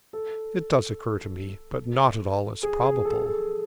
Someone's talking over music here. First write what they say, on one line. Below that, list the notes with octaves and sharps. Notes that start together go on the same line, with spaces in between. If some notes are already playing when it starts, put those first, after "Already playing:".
"It does occur to me; but not at all as probable."
A4
G#4
G#4
A4
A4